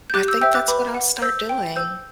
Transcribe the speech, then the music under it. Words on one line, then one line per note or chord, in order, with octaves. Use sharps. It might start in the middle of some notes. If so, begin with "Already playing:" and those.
I think that's what I'll start doing.
G6
G4 D6 F#6
E6 G6
C5 E5 G5 E6 G6
D6 F#6
B4 B5 D6
F#5
C5 E6 G6
G5
C5 E6 G6